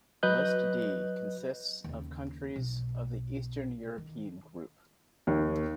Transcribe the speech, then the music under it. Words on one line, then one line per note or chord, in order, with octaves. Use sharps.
List D consists of countries of the Eastern European Group.
F#3 B4 D#5 F#6 G6
D#2 C#3
B1 B2
D#3
D#2